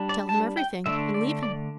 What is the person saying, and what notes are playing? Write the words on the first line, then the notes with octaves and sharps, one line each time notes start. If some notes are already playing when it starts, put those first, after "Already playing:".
"Tell him everything, and leave him."
Already playing: G3 D4
D5
A5
G5
D3 A3 D4 E5
D5
D5